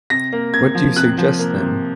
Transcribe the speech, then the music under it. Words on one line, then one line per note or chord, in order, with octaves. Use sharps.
What do you suggest, then?
C3 A#6
A#3
C3 G#6
F3
C3 F#6
F3
A#3
C3